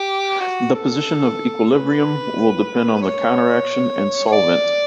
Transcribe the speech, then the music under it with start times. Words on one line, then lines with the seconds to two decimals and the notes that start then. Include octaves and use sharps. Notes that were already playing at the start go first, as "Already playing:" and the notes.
The position of the equilibrium will depend on the countercation and solvent.
Already playing: G4
0.40 F#4
0.74 A4
1.71 B4
3.01 C#5
4.27 C#5
4.32 D5